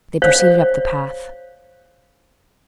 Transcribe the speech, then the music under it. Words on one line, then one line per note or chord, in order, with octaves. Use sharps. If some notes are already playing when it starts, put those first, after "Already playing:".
They proceeded up the path.
C5 C#5 F5